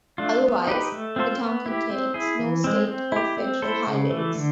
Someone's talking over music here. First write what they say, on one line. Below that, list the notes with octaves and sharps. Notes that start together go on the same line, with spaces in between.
Otherwise, the town contains no state or federal highways.
A3 D4 F4
B3
D#4 G4 B4
A3
C4 F4 A4 C5
B3
E4 G4
C4
E4 G#4
E3
G#3 C4
C4
E4 G4
C4
E4 A4 C5
C#3
E3 A3
D3